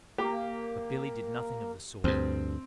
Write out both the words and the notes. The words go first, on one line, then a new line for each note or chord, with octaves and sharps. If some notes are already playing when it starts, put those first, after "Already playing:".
But "Billy" did nothing of the sort.
A#3 G4
D2 G2 C4